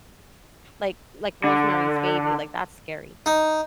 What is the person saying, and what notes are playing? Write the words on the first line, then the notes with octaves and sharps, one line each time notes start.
like like, Rosemary's Baby, like, that's scary,
D3
D#4